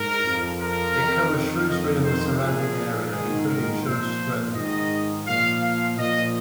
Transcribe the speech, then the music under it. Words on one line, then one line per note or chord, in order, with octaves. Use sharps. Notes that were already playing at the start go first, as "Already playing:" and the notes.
It covers Shrewsbury and the surrounding area, including Church Stretton.
Already playing: G#2 A#4
F2 F3
A#4
F2 D#3
F2 D#3 D#5
C5
A#2 F3 G#4
G#2 D#3 G#4
A#4
A#2 F3 C5
G#2 D#3 D#5
A#2 F3 F5
F5
A#2 F3 D#5